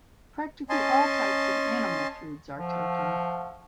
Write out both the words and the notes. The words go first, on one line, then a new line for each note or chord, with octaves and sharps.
Practically all types of animal foods are taken.
C#4 D#5 G#5 A5 C6
F3 A3 F5 F#5